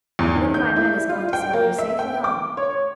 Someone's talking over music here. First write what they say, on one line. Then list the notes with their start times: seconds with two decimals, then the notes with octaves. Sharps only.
But one of my men is going to sail you safely home.
0.19 E2
0.36 D#3
0.54 G6
0.76 E4
1.09 F4
1.33 G5
1.53 A#3
1.78 E5
1.99 G5
2.24 D6
2.57 C#5